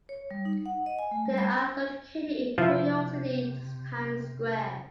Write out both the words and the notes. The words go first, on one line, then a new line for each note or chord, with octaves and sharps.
They are located in New York City's Time Square.
C#5
G3
D#4
F#5
D#5
G#5
A3
G3
B5
C3 F3 E4 E5